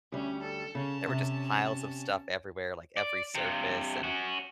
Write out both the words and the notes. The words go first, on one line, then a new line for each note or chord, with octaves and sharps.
there were just piles of stuff everywhere, like every surface and,
D2 G3 C#4
A4
C#3 C#4 A5
C3
D5
G2 C3
C#4 F#4